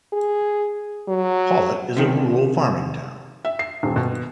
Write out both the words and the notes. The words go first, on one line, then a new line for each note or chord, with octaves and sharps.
Pawlet is a rural farming town.
G#4
F#3
C3 D#3
E5
C7
D#1
B2